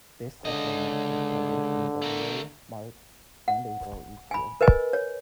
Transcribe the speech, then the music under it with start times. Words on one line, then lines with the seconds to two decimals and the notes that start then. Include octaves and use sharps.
This supplement is published in February, March and April each year.
0.45 C#2 D3 D#5
2.02 A3 A#4
3.48 F#5
4.31 G#5 B5
4.61 A#4 B4 D#5 G#5
4.93 C#5